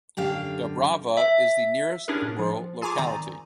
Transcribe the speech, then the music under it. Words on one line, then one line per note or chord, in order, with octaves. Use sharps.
Dubrava is the nearest rural locality.
F#2 D3 G4 F5
E5
C#4 D4 E4 G4 G#4 A#4
A2
F3
F4 G#4 G#5 A#5 C#6 D6
D#3 C4 D5 G#5 A#5